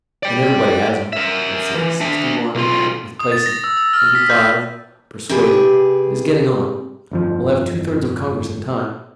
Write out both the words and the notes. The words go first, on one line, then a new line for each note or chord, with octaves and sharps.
And everybody has 'em. . . .Let's see: . . . sixty-one. . . . with places . . . twenty-five . . . persuaded--it is getting on; . . . . we'll have two-thirds of Congress in time . . .
D5 G5
A#4 E5
E3
D4 E5
B1 F4
D#6
A6
A#6
E6
E6
F6
B6
G6
C3 G4 G#4 B4
G1 F2 F3